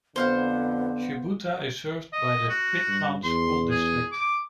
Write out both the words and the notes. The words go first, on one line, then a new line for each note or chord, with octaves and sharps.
Shubuta is served by the Quitman School District.
F2 D3 B3 C5 F5 F#5
D#5
F#4
G2
E2 C6
G#4
D6